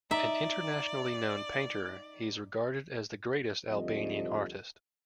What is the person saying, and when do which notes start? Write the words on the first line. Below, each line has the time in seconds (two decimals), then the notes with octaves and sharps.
An internationally known painter, he is regarded as the greatest Albanian artist.
0.11 D#4 D5 E5 A#5
3.71 D2 F3 G3 A3 C4 D#5